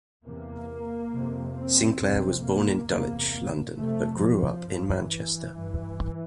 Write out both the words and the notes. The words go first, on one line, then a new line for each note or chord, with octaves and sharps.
Sinclair was born in Dulwich, London but grew up in Manchester.
E2 C3 A#3
F2 C3
C4
F2 C3 C4
A#3
E2 C3 A#3
F2 C3 A3
F3
G2
E3
G2